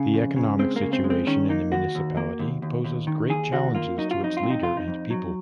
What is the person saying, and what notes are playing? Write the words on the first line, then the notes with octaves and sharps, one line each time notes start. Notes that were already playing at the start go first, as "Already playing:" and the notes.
The economic situation in the municipality poses great challenges to its leader and people.
Already playing: C#3 C#4
F2
C#3
G#3 C4
A#3
C#3
C4
G#3
C4
D#3 C#4
A#3 D#4
D#2 F#4
D#2
A#3
D#2
D#2
D#2
D#3
D#2 G#4
D#2 F#4
A#3 F4
F#3 D#4
F4
F2 D#4
F4
C3
D#4
F2 F4
D#4
F2
F#3